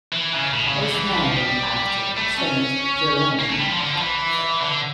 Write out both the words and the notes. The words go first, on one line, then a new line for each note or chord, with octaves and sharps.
It is named after Saint Jerome.
E3
C#3
A2
C#3
D3
E3
G3
F3
G3
A3
C#4
A#3
A3
G3
F3
D3
F3
E3
D3